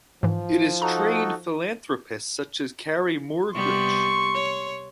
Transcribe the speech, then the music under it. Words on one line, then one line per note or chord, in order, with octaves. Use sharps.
It has trained philanthropists such as Carrie Morgridge.
G#2 E3 F3
D#4 F#4 A4 A#5
C3 G3 B3 C6 C#6
C#5